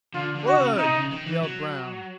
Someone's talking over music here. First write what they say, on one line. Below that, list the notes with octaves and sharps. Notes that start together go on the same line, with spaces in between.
"Wood!" yelled Brown.
D3 F4
D3
F#4
C#3
B2
C3 D#4
C#3
D#3
E3
F#3